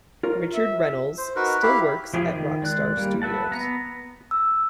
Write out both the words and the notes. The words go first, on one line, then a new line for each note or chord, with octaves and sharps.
Richard Reynolds still works at Rockstar Studios.
F4 A#4 C#5
E5
C5
D#4 F#4 A#4 B4
E4 G4 F5 B5
F3 E4 G4 G#4
D#3
G#3 D5 F#6
G3 A#3
B4 E5 F#5 A5
B3 A#5
E6